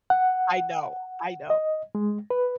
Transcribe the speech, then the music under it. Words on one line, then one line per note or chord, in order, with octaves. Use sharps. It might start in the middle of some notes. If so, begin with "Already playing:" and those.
I know, I know.
F#5
D#5
G#3
B4